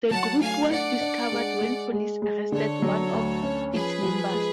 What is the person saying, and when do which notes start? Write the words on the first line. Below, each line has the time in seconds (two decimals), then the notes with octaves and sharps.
The group was discovered when police arrested one of its members.
0.10 F#3 F#5 A5
0.40 A3 F5 G#5
0.71 D4 D5 F#5
1.01 D4
1.32 G#3
1.61 G#3
1.92 G#3
2.22 G#3
2.52 D3 A4 C#5
2.82 F#3
3.13 D2
3.43 C#4
3.73 F3 G#4 B4
4.03 F3
4.34 G#3